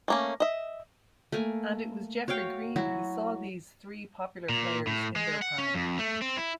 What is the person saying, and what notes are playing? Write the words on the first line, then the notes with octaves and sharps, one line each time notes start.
And it was Geoffrey Green who saw these three popular players in their prime.
A3 A#3 C#4
D#5 E5
A3 A#3 G#5
F#4 C#5 F5 G5
F#3 E4 F#4
A#2
A2
G#3
F#5
C#4
F2
A3
C4
E4